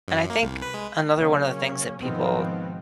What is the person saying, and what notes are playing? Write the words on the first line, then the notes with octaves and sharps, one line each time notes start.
And I think another one of the things that people
F#2
A#3
C2
B4
G#3
C#3 F#3 A#3 C#4
G#2 B2 D#3 F3 B3 C4